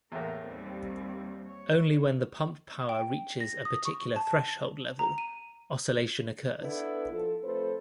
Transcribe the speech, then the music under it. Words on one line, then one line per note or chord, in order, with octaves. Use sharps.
Only when the pump power reaches a particular threshold level, oscillation occurs.
E2 A2 A#3 A#4
D#2 G3 C4
C#5
G5
A#6
D#6
C#6
A5
A#5
D#7
B3 D4 E4 A4 B4
F3 A4
F2 A3 A4 B4 C5